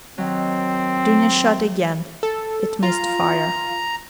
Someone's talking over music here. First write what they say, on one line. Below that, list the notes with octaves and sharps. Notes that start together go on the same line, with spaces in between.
Dounia shot again: it missed fire.
D#3 F#3 C4
A4
F4 A#5